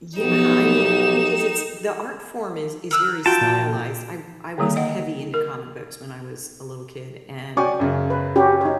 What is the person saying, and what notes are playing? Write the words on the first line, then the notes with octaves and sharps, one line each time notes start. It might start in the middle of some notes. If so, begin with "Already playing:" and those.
Yeah, I mean, because it's the art form is is very stylized, I I was heavy into comic books when I was a little kid, and
B1 F3 B3 D#4 G4 E7
A#4 E6 F#6
F4 F#4 G5 A5
A#2
D3 D#3 G3 A#3
D#5 F#5 G5
A#4
C#4 F#4 D5 G5 G#5 C#6
F#2 C#3
B4
C#4 F#4 G4
D#4 C#5